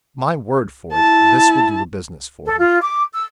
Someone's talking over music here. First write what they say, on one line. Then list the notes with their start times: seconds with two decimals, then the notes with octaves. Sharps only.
My word for it, this will do the business for him.
0.93 E4 A5
2.45 A4
2.59 F4
2.81 D6
3.14 E6